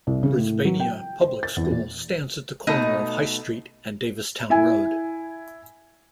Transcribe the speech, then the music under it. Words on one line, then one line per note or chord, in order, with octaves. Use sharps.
Brisbania Public School stands at the corner of High Street and Davistown Road.
C2
C#3
A2
F#3
G5
C5
A6
E2
A#2
B2 A3 D#4 D#5
E4 G#5